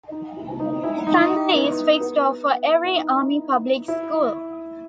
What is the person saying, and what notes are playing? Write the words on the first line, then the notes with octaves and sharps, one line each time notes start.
Sunday is fixed off for every Army Public School.
D#4
E4
D#4
E4
D#4
B3
B3
E4
D#4
E4